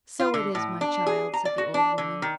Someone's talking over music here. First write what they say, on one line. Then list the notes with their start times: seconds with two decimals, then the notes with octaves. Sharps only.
"So it is, my child," said the old woman.
0.20 F4
0.34 D3
0.55 A2
0.81 D4
1.06 G#4
1.34 A#5
1.45 D5
1.58 F#4
1.74 D4
1.98 D3
2.22 D#3